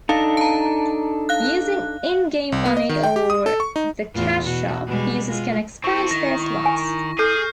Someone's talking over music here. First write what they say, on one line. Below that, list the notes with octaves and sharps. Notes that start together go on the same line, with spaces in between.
Using in-game money or the cash shop, users can expand their slots.
D4 D#4 A4 F5
A5 A#5
F5 F#6
C2
B3
D#5
D#3
G5
G4
D#6
A4
C#6
D#4
E2 A2 F4
B2 F#4
B2 G3 G#3
G#3 F4
C4 E4 A4 C#6
D#3 A#6
G#5
G#4 A4 F6 G6 C7